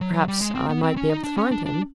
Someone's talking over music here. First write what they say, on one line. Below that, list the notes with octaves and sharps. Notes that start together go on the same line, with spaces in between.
Perhaps I might be able to find him.'
F#3
F#3
G3
G#3
C4
B3
C4
C#4
D#4
D4
C#4
D4
D4